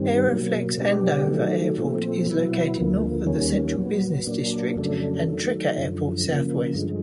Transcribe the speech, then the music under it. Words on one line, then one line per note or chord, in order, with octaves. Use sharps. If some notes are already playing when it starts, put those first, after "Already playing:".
Aeroflex-Andover Airport is located north of the central business district and Trinca Airport, southwest.
Already playing: G2 D#3 G3 C4
B2 F#3 A#3
B2 G3 B3 D4 G4
D#3 F#3 A3
A#2 F3 A3 C4
B2 F#3 B3 E4
D2 D3 F3 A#3
D#2 D#3 G3 A#3 C#4
A#2 F#3 B3
A#2 F#3 A#3 D4
F2 C#3 F#3 A3 D4
D#3 F#3 A3
F#2 D3 F3
C#3 F3 A#3
G2 D3 F3 G#3